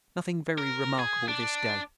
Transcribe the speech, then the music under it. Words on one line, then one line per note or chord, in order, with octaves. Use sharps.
Nothing very remarkable this day.
A#4
G#4
D4